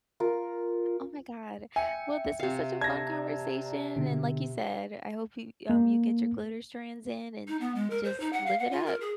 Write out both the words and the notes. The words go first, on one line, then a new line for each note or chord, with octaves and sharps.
Oh, my god. Well, this was such a fun conversation, and like you said, I hope you um, you get your glitter strands in and just live it up.
F4 A#4
E5 G5 G#5 C#7
C3 F5
D5 A5 A#5 G#6 A#6
B2 D3
A#3
D#4
B3
G#3
A#4
C5
D#4
F#5
F5
F#5
F4
A#4
G#4